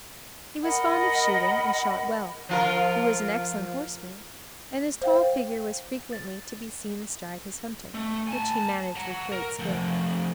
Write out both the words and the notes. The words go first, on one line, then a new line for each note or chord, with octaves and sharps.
He was fond of shooting and shot well; he was an excellent horseman and his tall figure was frequently to be seen astride his hunter, which he managed with great skill.
A#4 D#5 F#5 B5
F3 F4 A#4
C5 F5 G5
A6
A3
G#5 A5
F#5 A#5
A#4
F3 A3